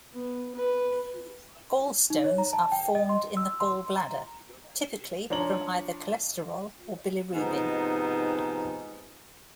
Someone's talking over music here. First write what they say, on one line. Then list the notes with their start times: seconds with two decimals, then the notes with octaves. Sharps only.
Gallstones are formed in the gallbladder, typically from either cholesterol or bilirubin.
0.13 B3
0.55 B4
2.10 D#4
2.24 C#5
2.38 A#5
2.53 A5
2.72 G5
2.95 D#5
3.09 C6
3.37 E6
3.60 C6
3.97 A#5
5.30 F3 D4 C#5 A#5 F#7
7.34 G#2 C3 F3 B3 D#4